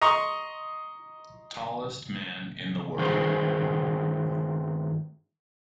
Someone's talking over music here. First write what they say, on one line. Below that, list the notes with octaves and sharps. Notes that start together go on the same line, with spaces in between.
Tallest man in the world.
D#5 A#5 C6 C#6
G2 D#3 G#4 C5